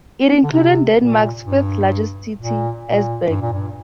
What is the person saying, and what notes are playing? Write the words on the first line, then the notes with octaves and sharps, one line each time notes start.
It included Denmark's fifth largest city, Esbjerg.
D3
C3
A#2
G2
A#2
A#2
G2
A#2
G2